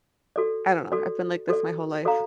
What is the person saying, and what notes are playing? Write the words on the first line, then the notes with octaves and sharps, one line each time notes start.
I don't know, I've been like this my whole life.
F#4 A4 D5
F#4 A4 D5
F#4 A4 D5
F#4 A4 D5 F5 A#5